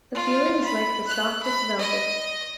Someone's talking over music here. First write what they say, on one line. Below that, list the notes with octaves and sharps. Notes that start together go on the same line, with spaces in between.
The feeling is like the softest velvet.
F4
B5
F#6
B5
D#5